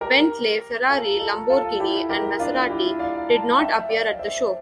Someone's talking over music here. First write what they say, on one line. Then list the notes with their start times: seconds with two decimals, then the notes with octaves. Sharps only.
Bentley, Ferrari, Lamborghini, and Maserati did not appear at the show.
0.01 G4 A#4
0.90 F4 A4
1.20 F4 A4
1.50 F4 A4
1.80 E4 G4
2.09 G4 A#4
2.39 D4 F4
2.70 E4 G4
2.99 D5 F5
3.29 F5 A5
3.59 E5 G5
3.77 E5
3.89 D5 F5
4.19 C5 E5